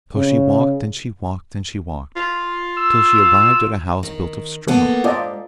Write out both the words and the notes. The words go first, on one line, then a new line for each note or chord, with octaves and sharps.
So she walked and she walked and she walked, till she arrived at a house built of straw.
C#3
F4
E6
D#3
A#3 B3 A4
G#2 F4 D5 D#5